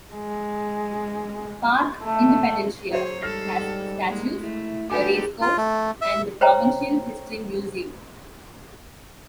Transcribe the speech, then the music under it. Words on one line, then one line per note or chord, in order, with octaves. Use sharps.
Parque Independencia has statues, a racecourse, and the Provincial History Museum.
G#3
A3
F#3 G#4 C5 C#5
G#2 G3 A4 F6 A#6 C7
G#3 A#3
A3 E4
D4 D#4 F#4 G4 A4 B4 G#5 D6
F4
A3
E5
C5 C#5 G5 A#5